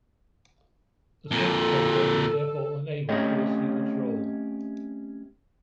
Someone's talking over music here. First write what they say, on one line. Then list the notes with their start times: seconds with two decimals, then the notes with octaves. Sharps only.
The circuit breaker is therefore unable to assume its role.
1.31 F2 A#2 A4
3.09 A3 C4 C#4 G4 C#5 D#5